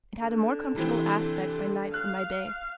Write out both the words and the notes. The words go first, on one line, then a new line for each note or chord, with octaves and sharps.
It had a more comfortable aspect by night than by day.
D3
C3 E3 C4
F5 F#6